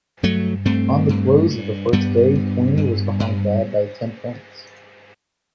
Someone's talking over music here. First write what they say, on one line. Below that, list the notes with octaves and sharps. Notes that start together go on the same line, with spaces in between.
On the close of the first day Queenie was behind Dod by ten points.
G2 F#3 A3
G2 A3 C4
G2
G2
G2 G3 B3
G2
G2
G2